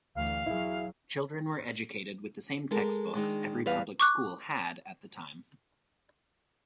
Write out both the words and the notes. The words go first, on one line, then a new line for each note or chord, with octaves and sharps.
Children were educated with the same textbooks every public school had at the time.
D2 E3 F5
E2 E3 F#3 E4 G#4
G#3 A4 A#4
D#3 G#3 D4
E2 G3 B4 F5
C#6 D6 F#6